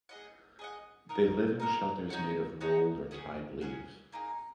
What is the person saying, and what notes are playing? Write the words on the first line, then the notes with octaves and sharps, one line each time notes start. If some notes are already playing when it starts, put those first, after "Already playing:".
They live in shelters made of rolled or tied leaves.
G#4 D#5 F#5
G#4 D#5 F#5
D#4 A#4 F#5
D#4 A#4 F#5
D#4 F#4 C#5 F#5
D#4 F#4 C#5 F#5
C#4 G#4 F#5
C#4 G#4 F#5
A#3 D#4 G#4